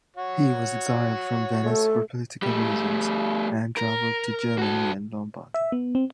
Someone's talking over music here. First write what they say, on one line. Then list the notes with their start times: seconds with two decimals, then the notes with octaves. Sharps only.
He was exiled from Venice for political reasons, and traveled to Germany and Lombardy.
0.17 F#4 C#5
1.65 A3 A4
2.42 G3 A3
3.77 A#4
4.58 F#4 A4
5.54 E5
5.72 B3
5.95 C4